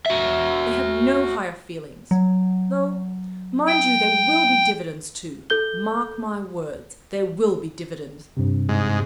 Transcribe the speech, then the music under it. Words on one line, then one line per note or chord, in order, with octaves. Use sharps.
'They have no higher feelings. Though, mind you, there will be dividends too; mark my words, there will be dividends.
F#4 E5
F#3
G5
A4 G6 G7
G2 C3
G#2